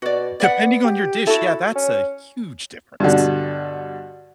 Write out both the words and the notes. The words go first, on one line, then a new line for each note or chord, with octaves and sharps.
Depending on your dish, yeah, that's a huge difference.
B2 F#4 D5
B3 D5 E5 F#5
G4
E4 F#4 A4
C#4
G2 B2 D3